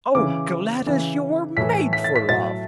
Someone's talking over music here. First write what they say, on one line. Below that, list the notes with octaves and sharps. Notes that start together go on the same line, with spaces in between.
Oh, Gladys, you were made for love!
C#3 E3 D6
C#3 E3
A2 E3 B6
B6
A6
B6
A2 F#3 A6